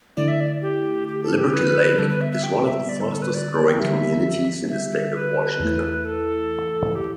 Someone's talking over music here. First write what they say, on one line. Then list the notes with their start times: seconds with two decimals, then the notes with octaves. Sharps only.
Liberty Lake is one of the fastest growing communities in the State of Washington.
0.17 D3 A3 E4 D5
0.28 E5
0.40 D5
0.62 G4
1.08 G4
1.23 A4
1.38 G4
1.53 B4
1.98 D3 G3 B3 A4
2.09 B4
2.21 E5
2.32 E5
2.43 G5
2.66 E5
2.89 D5
3.00 A4
3.11 A4
3.22 B4
3.34 D5
3.68 G5
3.79 D3 G3 B3 G4 E5
4.70 E5
5.15 B4
5.60 E2 E3 A3 E4
6.05 A4
6.95 G4